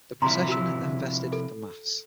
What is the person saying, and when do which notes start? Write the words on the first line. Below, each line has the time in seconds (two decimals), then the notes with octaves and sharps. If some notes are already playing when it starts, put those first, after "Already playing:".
The procession then vested for Mass.
0.22 C3 F3 E4 A#5 C6
0.48 F#4 E6
1.33 A4